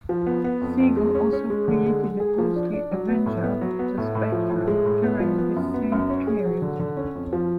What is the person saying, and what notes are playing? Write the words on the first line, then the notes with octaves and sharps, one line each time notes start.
Siegel also created the ghostly avenger The Spectre during this same period.
F3
B3
B3
F2
F2
G#3
C#4
C#4
G#3
D3
G#3
G#3
G#4
F3
D4
D4
F#3
B3
A2
B3
F#3
B3
A2
A2
F3
A2
G#3
A2
B3
F3
B3
F#2
B3
F#2
C#4
G#4
F#3
D3
D3
C#4
F2
F3